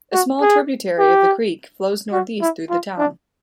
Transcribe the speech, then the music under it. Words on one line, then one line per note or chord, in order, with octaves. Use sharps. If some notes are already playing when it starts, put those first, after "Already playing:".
A small tributary of the creek flows northeast through the town.
F#4
G#4
G4
F#4
E4
F4
D4